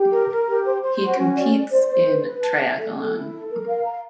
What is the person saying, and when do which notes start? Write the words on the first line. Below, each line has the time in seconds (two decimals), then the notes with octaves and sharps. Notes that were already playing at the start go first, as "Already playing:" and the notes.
He competes in triathlon.
Already playing: G4
0.10 A#4
0.29 A#4
0.47 G4
0.65 C5
0.81 C5
1.00 F#4
1.17 C#4
1.36 D5
1.53 D5
1.71 C5
1.88 C5
2.07 B4
2.24 B4
2.42 A5
2.60 E5
2.77 A4
2.96 A4
3.13 E4
3.32 A4
3.49 A#4
3.66 F5
3.85 A#5